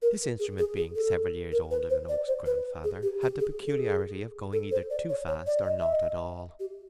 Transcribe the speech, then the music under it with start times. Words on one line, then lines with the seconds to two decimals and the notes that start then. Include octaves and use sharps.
This instrument being several years older than Oak's grandfather, had the peculiarity of going either too fast or not at all.
0.02 A#4
0.39 G#4
0.59 G#4
0.77 G#4
0.96 A4
1.52 A#4
1.71 B4
1.90 C5
2.09 D5
2.28 C5
2.46 B4
2.84 G#4
3.03 G4
3.22 G4
3.40 G#4
3.66 A4
3.78 G#4
4.53 A4
4.71 C5
4.90 D5
5.09 C#5
5.28 C#5
5.47 D5
5.66 D#5
5.79 E5
5.93 D#5
6.60 G4